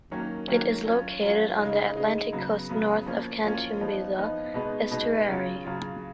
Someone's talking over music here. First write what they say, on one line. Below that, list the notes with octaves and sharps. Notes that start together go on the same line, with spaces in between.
It is located on the Atlantic Coast north of Catumbela Estuary.
D#3 F#3 A#3 C#4
D#3 F#3 A#3 C#4
F#3 C#4 F4
F#3 C#4 F4
C#3 G#3 D#4
C#3 G#3 D#4
C#3 F#3 B3
C#3 F#3 B3
F3 A#3 C#4 F4
F3 A#3 C#4 F4
F3 B3 D#4
F3 B3 D#4
B2 G#3 B3 D#4
B2 G#3 B3 D#4
C#3 F#3 C#4 F4
C#3 F#3 C#4 F4